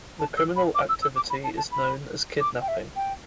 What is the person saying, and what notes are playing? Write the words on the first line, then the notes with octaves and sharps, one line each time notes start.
The criminal activity is known as kidnapping.
A5
E6
B5
D6
E6
E6
D6
B5
A5
A5
B5
D6
G5
E5
G5